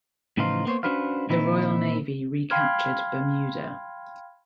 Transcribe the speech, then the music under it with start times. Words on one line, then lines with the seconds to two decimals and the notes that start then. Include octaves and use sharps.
The Royal Navy recaptured "Bermuda".
0.37 A2 C#3 E3 F3 D#4 F4
0.65 A#3 B3 C5 C#5
0.83 C#4 D4 F#4 B4 C5 F5
1.29 A#2 D#3 C4 D#4 E4
2.50 F5 G5 B5 C6 F6 G#6